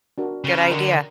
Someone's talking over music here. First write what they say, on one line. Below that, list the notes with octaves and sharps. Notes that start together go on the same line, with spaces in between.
Good idea.
D4 F#4 A#4
C#3
D3 A#4 D#5 G5 A#5 C#6